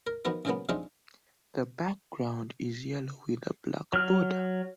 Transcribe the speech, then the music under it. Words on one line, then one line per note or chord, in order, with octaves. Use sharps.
The background is yellow with a black border.
A#4
D#3 F3 B3 F#4 A#4
C#2 G#2 C#3 F#3 A#3 B3
C3 F3 G#3 D4 D#4 F4
F#3 F6